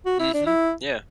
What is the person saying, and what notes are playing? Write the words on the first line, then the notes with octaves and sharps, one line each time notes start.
Mhm. Yeah.
F#4
E4
D4
E4